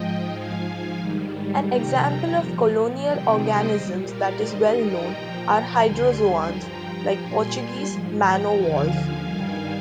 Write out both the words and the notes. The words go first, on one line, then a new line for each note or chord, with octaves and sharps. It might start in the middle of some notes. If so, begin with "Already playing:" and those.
An example of colonial organisms that is well known are hydrozoans, like Portuguese man-o-wars.
Already playing: G#2 F3 D#5 G5
G#2 F3 F5 G#5
G#2 D#3 G3
F2 C3 D#3 G3 G5 A#5
A#2 F3
F2 C3 D#3 G3 D#5 G5
C5 D#5
A#2 G3
A#4 D5
G2 D#3 G3 C5 D#5
G5 A#5
A#2 F3 G5 A#5
D#2 D3 G3 G#5 C6
G2 F3 G5 A#5
A#2 G3 G#5 C6
G#2 F3
G5 A#5
D#2 D3 F3 F5 G#5
G2 D#3 G3 F5 G#5